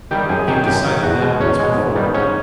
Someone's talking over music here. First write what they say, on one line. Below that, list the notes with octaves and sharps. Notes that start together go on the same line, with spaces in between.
He had decided that once before!
D#3 G3 G4 G5
F#2 G#4 G#5
D#3 F#3 G4 G5
F#2 G4 G5
D#3 F#3
E2 F#4 F#5
B2 G#3
E2 C#4 C#5
B2 G#3
G#2
D#3 G3 B3
G#2 C#4 C#5